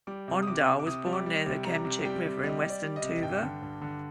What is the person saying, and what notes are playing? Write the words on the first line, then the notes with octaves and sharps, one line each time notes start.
Ondar was born near the Khemchik River in western Tuva.
G3 D6
C3
D#6
C3 D6
C3
D6
C3 D#6
G3
D6
G3
C3
G3 A#5
C3
G3 G5
C3
G3 D#5
G3
D5
G3
D#5
C3
G2 G5
D3
G2
D3